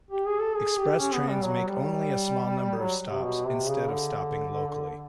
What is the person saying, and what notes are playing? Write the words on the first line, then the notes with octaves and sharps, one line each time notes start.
Express trains make only a small number of stops, instead of stopping locally.
G4
G#4
A4
G#4
G4
C#4
B3
G3
F#3
G3
F#3
C3
B2
C3
C#3
D3